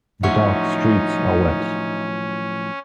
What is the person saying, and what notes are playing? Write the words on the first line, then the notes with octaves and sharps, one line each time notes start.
The dark streets are wet.
A2 F3 F#3 C#4 D#4 E5 F#5 C#6